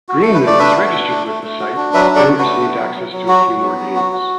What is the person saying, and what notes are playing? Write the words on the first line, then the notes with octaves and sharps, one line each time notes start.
Green members registered with the site and received access to a few more games.
F#4
A3 A4
B4
A3
D5
D4 B4 E5
F#4
D4
A3
A3
A3
F#4
D4
F#3 B4 E5
D4
A4 D5
F#4
F#4 B4
A3
B3
F#3
F#3
F#3
F#4
F#3
B3
F#3
F#4
F#4